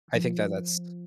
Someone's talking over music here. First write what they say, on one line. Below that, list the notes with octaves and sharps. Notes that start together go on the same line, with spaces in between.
I think that that's
F3